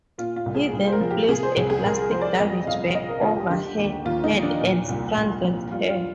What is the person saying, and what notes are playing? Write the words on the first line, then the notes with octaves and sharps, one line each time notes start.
He then placed a plastic garbage bag over her head and strangled her.
A#2 F4
F4
C2
G#4
C2
C5
A#4
F3
G4
C3 G#4
C5
C2
G#4
C2 A#4
F3 C5
D5
F2 D#5
G1 F5
F3 D#5
A#4
D3 F4
G4
D3 G4
D#2
D#2 F4
D#4
F3
D4
A#2
C2
C2
F3
G2 F4
F4